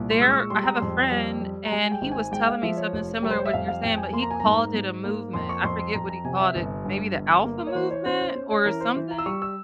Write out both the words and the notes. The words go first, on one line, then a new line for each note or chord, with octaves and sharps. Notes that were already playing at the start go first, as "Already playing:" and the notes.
there I have a friend, and he was telling me something similar to what you're saying, but he called it a movement. I forget what he called it. Maybe the alpha movement or something?
Already playing: C2 A#2
C6
G#3 E6
C#6
G3 C6
A#5
C6
F2
G3
G3
A#5
G#3 G#5
G5
G#1
G#5
G#3 G5
F5
F3 E5
C#5
F1
G3 A#4
C5
C#5
E5
F2 F5
F5
F2 G5
G#5
A#3 C6
A#5
G#5
G#2 A#5
G#2
A#3
F2 C6
C#6
F2 C6
C6
F2 A#5
A#5
C3 G#5
E5
G1
G2
G1
A#3
C#5
E3 C5
C#5
C#4 C5
C5
C#4
C#5
E3 A#4
C5
E3
A#5
E6
G3 C#6
E6